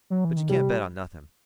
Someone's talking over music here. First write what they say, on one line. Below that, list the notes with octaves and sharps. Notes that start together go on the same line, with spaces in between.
But you can't bet on nothing.
F#3
E3
D#3
C3 G3